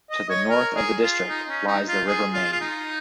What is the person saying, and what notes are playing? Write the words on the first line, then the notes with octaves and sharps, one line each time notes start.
To the north of the district lies the River Main.
D#5
C#5
A#4
G#4
F4
D#4
C#4
D#4
F4
G#4
F4
F4
D#4